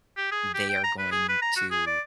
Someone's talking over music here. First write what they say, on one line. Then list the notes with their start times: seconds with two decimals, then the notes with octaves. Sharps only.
they are going to,
0.17 G4
0.32 G#4
0.54 G4
0.69 G5
0.84 A#5
0.99 B4
1.12 G#4
1.29 B4
1.42 A#5
1.56 F#4
1.71 G#4
1.87 D5